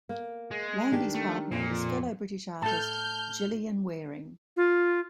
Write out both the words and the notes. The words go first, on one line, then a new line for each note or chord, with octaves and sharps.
Landy's partner is fellow British artist Gillian Wearing.
A#3
G#3
D#3 D4 G4
A3
F2 A#2
A2 A4 A5 F6 G6
F4